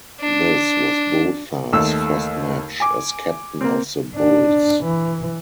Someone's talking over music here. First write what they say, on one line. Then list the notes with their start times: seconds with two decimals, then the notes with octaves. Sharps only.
This was Botha's first match as captain of the Bulls.
0.20 D4
1.73 D#2 A3 E6
2.80 G#5 D6
3.61 A#3 C4
4.15 D4
4.84 E3